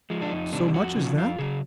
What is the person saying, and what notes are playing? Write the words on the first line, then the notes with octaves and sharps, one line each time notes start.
"So much as that?"
F3 G#3
D4
F2 D#4
C3 D#3 G3 D4
F2 F#4
C#3 F3
F2 F4
C#3 F#3 G#4